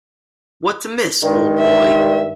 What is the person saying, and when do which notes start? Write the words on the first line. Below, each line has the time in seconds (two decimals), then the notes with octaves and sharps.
What's amiss, old boy?
1.23 G2 D#3 G#3
1.59 E5